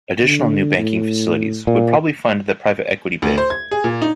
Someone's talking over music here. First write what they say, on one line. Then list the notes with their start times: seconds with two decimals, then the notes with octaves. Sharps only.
Additional new banking facilities would probably fund the private-equity bid.
0.23 D3
0.78 A2
1.67 A#2
3.22 D2
3.38 C5
3.50 G#6
3.71 G#4
3.84 A#2
4.02 D#4